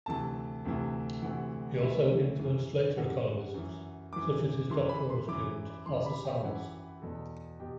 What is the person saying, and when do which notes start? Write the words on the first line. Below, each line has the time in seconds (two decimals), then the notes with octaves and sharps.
He also influenced later economists, such as his doctoral student Arthur Salz.
0.06 D2 C3 E3 A5
0.65 D2 C3 E3
1.22 D2 C3 E3 F#5
1.80 D2 C3 E3 E5
2.39 F#2 E3
2.97 F#2 E3 F#5
3.54 F#2 E3
4.13 F#2 E3 D6
4.70 F#2 E3 C6
4.89 B5
5.10 C6
5.28 F#2 E3 D6
5.86 F#2 E3 C6
6.06 B5
6.25 G5
6.44 F#2 E3 F#5
7.02 E2 B2 A4
7.60 B2 G4